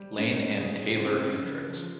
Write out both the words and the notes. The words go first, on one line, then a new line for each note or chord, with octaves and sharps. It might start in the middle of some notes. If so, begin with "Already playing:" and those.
Lane and Taeler Hendrix.
Already playing: G3 C5
C#4 D#4
G#4
C#3 C4
C#3
F3